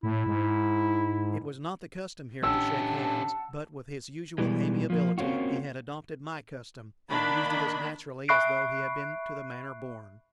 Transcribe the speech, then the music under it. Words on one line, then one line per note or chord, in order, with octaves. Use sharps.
It was not the custom here to shake hands, but with his usual amiability he had adopted my custom, and used it as naturally as though he had been to the manner born.
A2 E4
G#2
C#4 D4 G4 F#5 A5 E6
B2 E3 G3 G#3
F3 A#3
A#3 C4 C#4 F4 F#4
D#3 A#3 D4 B5
E5 B5 C#6 F#6 C7 D7